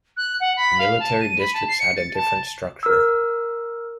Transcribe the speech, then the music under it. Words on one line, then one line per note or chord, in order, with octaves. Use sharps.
Military Districts had a different structure.
F#6
F#5
B5
F5
A5
D#7
B5
A5
C7
C#7
A6
A5
A#4 E6